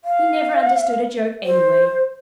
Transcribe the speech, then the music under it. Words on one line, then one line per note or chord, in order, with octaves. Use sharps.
He never understood a joke anyway.
F5
C5